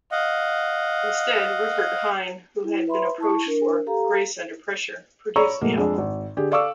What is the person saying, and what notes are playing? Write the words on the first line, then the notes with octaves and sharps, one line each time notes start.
Instead, Rupert Hine, who had been approached for "Grace Under Pressure", produced the album.
D#5 F5 F#5
E4
B4 E5 B5 C6
E4 A5 C#6
D4 A#4
G4 A4 F5 A#5
C#5 D5 A#5 B5 C#6 E6
G#2 B2 F#3 A3 A#3
F2 G#3 D4
G#1
D3 G4 G#4
A4 D5 F5 C#6 D6 E6